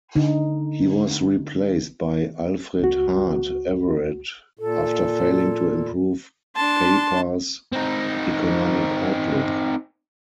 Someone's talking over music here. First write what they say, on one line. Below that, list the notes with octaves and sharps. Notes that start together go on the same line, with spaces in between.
He was replaced by Alfred Hart Everett after failing to improve Papar's economic outlook.
D3 D#4
C#2 F#4
A#2 A4
D4 A5 C6
C4 D#4